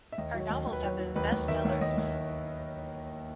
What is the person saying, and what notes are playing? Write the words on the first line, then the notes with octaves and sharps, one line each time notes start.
Her novels have been best-sellers.
E5
D#2 D#5
F#3
C#5
D#2
D#2
B4
F#3 C#5
F#3
D#2 B4
D#2
D#3 E5
D#2 C#5
D#2 D#5
D#2